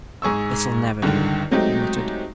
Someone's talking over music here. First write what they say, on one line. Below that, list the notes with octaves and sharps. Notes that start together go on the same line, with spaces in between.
"This'll never do," he muttered.
G#2 G#4 C#6 E6
C#2 G2 D3 D#3
F#3 G#3 A3 C4 D#4 G4